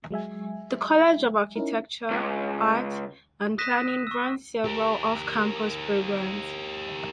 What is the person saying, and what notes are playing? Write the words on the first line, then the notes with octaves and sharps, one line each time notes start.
The College of Architecture, Art, and Planning runs several off-campus programs.
F#3 G#3 E5 G#5
C#4 D#4 E4 A#4
C#2
D#6 F#6 A#6 B6 D#7 E7
C#6 E6
G4 A#4